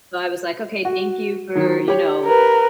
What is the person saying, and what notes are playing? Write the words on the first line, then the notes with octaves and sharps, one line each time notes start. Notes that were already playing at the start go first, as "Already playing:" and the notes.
So, I was, like, okay, thank you for, you know?
F#4
D#3 F#3
G4 C#5
A#4 B4